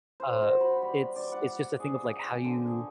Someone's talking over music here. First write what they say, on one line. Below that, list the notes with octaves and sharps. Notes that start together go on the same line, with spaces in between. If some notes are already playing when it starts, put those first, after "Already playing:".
uh, it's it's just a thing of, like, how you
C5
F#4
B5
G3
D5
F#5
G#4
G5
D3
G#4